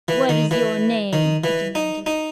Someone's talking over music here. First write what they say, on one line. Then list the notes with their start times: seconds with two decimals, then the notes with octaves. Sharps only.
"What is your name?" he demanded.
0.08 E3
0.29 D#3
0.51 E3
1.13 D#3
1.44 E3
1.75 D#4
2.06 D#4